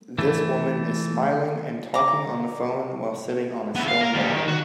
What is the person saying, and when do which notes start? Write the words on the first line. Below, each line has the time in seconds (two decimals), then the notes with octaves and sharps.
This woman is smiling and talking on the phone while sitting on a stone wall.
0.18 E3 A3
1.94 A#5 D6
3.75 B3 E4
3.88 F5
4.01 A#4
4.14 D#2 G3
4.32 D#3
4.48 F#4